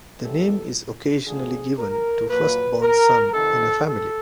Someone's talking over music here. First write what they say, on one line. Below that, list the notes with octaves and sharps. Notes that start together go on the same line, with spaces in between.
The name is occasionally given to the first-born son in a family.
A2 E3 G3 B3 A4
F2 D3 F3 A3 G#4
A#4
A#2 F#3 A#3 B4
A#4
F2 C3 D#3 A4
A4